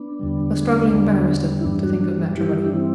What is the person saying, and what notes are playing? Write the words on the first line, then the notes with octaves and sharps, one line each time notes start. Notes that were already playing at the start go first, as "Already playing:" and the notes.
A struggling barrister to think of matrimony!'
Already playing: B3 D4
E2 D3 G3
E2 D3 G3
E4
G2 E3 G3 B3 D4
D4 F#4
D4 F#4
G2 E3 G3 E4 G4
D4
C4 E4